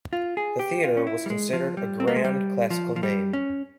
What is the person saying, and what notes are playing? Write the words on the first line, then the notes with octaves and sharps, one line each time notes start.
The Theatre was considered a grand classical name.
F4
G#4
G4
F4
C#4
E4
G3
G#3
F3
G3
C4
A#3
G#3
G3
F3
F3
G3
C#4